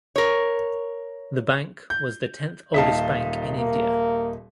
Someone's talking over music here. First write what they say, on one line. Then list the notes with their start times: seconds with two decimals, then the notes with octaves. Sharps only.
The bank was the tenth oldest bank in India.
0.16 A#4 C#5
1.90 G6
2.74 D#1 D#3 D#4 E5 F5 A5
3.58 A#3